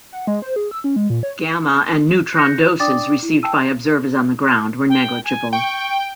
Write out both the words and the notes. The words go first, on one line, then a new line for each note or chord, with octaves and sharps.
Gamma and neutron doses received by observers on the ground were negligible.
F#5
G#3
C5
G#4
E6
C#4
G#3
A#2
C#5
F#6 G6 A#6 C#7
F4
D4 D5 G5 D6 D#6 A6
E4
G5 A5 E6 D#7
G5
G#5
G5 C#6